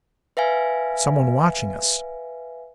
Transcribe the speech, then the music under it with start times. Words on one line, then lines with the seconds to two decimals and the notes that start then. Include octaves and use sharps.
Someone watching us.
0.37 B4 E5 F5 G#5